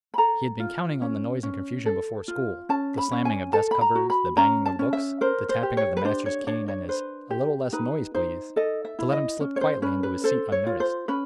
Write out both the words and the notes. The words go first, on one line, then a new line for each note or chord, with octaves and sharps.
He had been counting on the noise and confusion before school,--the slamming of desk covers, the banging of books, the tapping of the master's cane and his "A little less noise, please,"--to let him slip quietly into his seat unnoticed.
B5
A4 A#5
F4
C#4
C#4
A4
F4
C#4 A5
B5
C#4
G#5
A4 A5
B5
A#5
F#4
B5
C#4 A#5
A5
C#4
E5
A#4 C5
C5
G4
C#5
B4
D4 C5
C#5
D4 C#5
C#5
B4 C5
G4
D#4 B4
D#4 C5
A4 D#5
E5
E4
D#5
C#4
C#5
C5
C#4 B4
B4
A4 C5
C#5
F4
C5
C#4 B4